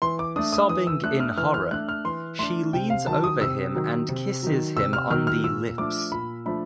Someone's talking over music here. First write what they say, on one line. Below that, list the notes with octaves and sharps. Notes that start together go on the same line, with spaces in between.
Sobbing in horror, she leans over him and kisses him on the lips.
E3 C6
D6
A3 D4 D#6
D#6
E3 D#6
E6
A3 D4 F#6
F6
E3 F6
F6
A3 D4 F#6
F6
E3 C6
A3 D4 C6
C3 G5
F5
D#3 F#3 A5
D#6
C3 E6
D#3 F#3
C3
D#3 F#3
C3 E6
F6
D#3 F#3 F6
F6
A#2 E6
F3 A3 D4 D6
A#2 B5
F3 A3 D4 B5